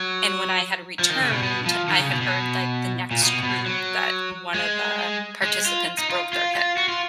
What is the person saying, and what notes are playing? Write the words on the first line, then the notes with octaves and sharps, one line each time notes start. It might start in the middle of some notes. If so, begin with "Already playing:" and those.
and when I had returned, I had heard, like, the next group, that one of the participants broke their hip.
Already playing: F#3
F3
D#3
C#3
B2
B2
F3
D#3
C#3
B2
B2
A#2
B2
B2
F#3
G#3
G#3
F4
D#4
F4
F4
F4
F#4
F4